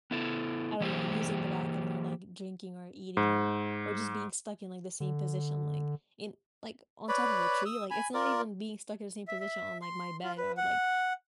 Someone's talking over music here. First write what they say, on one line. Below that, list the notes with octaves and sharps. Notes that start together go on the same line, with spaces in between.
I don't know, using the bathroom or, like, drinking or eating or or just being stuck in, like, the same position, like, in like, on top of a tree, like, it's not even being stuck in the same position on, like, my bed or, like,
B3 E4 A4
E3 A#3 G4 G#4 C5
G#2
D3
B4 C#5 D5 B5
D#6 E6
G#5 B5
F4 A#4 D5
E5
E5
C6
F4
B4
F#5